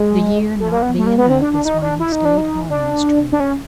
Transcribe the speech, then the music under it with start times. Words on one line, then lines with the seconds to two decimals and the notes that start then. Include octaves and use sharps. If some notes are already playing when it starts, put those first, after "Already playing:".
The year not bein' up is why he stayed home this trip.
Already playing: G#3
0.60 A3
0.72 A#3
0.82 B3
0.98 A3
1.06 A#3
1.18 B3
1.29 C4
1.41 D4
1.53 D4
1.65 D#4
1.82 D4
2.00 E4
2.12 D#4
2.25 D4
2.38 D#4
2.70 D4
3.32 D4
3.40 C#4